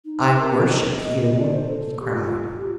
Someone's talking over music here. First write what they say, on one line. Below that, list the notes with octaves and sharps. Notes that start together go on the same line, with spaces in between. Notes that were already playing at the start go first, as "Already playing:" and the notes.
"I worship you," he cried.
D#4
G4
A#4
C5
D#5
D5
C5
A4
G4
F4
F4
F4
G4